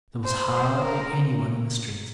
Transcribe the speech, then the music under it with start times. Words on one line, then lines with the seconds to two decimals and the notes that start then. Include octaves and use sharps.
There was hardly anyone in the streets.
0.24 C5
0.54 C5
0.83 A#4